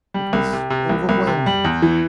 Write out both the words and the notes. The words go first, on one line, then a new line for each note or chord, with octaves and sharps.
It was overwhelming.
G3
C2
C3
C3
C2
C2
C3
G3
E2
E3